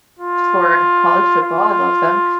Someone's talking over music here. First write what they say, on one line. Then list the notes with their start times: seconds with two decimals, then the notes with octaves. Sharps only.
for college football; I love them.
0.19 F4
1.42 F4